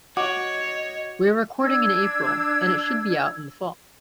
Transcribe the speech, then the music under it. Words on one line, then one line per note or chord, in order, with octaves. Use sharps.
We're recording in April, and it should be out in the fall.
F#4 C#5 D#5 D6
D4 E6 G#6